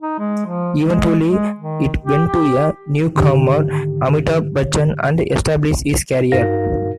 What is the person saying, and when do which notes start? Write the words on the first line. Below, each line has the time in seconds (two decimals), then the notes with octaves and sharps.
Eventually, it went to a newcomer Amitabh Bachchan and established his career.
0.02 D#4
0.19 G#3
0.46 F3
0.83 G#3
1.29 G#3
1.57 D#3
2.04 G4
2.26 G4
3.15 G#2 D3 D#3 G4
6.32 G2 D#4 F#4 A#4 F5 A#6